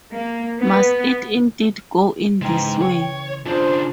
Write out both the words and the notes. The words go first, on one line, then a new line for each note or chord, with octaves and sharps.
Must it indeed go in this way?
A#3
B3
C#3 E3 G#3 D#4 G5
C#5
C#3 D4 F4 G#4 C5